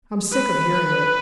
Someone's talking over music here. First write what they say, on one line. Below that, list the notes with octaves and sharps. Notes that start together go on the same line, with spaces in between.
I'm sick of hearing it.
B4